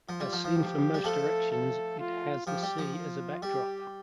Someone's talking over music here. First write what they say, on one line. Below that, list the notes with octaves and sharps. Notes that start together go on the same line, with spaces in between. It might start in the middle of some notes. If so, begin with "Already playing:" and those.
As seen from most directions it has the sea as a backdrop.
F3 F4
G3
F3
F3
G4
G3
F3 A3 A4
A4
F4
F3 G4
G3
F3
F4
G3 G4